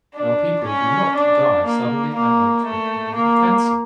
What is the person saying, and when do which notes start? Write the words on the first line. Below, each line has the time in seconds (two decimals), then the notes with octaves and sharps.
Now people do not die suddenly and unexpectedly of cancer.
0.14 D4
0.63 C#4
1.14 D4
1.64 A#3
2.14 A#3
2.64 A3
3.14 A#3